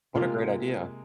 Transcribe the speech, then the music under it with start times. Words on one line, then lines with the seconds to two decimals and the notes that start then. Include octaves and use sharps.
What a great idea.
0.15 C3 G#3 A#3 F4